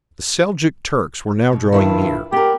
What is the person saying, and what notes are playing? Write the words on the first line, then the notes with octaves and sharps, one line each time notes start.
The Seljouk Turks were now drawing near.
B2
G2 D#3 E4 F4
B3 G4 A#4